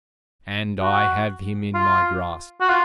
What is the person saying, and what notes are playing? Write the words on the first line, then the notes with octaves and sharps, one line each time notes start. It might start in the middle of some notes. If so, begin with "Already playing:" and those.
And I have him in my grasp!
F#4
F4
F#4
F4